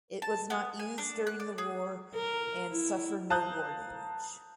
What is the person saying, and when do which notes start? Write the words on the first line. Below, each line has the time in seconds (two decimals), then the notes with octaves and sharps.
It was not used during the war and suffered no war damage.
0.22 A5
0.50 B3
0.79 G#5
0.98 D4
1.27 F#6
1.40 D5
1.58 G#4
2.15 A#4
2.71 E4
3.30 F5 A5 A#5 D#6 F#6 G6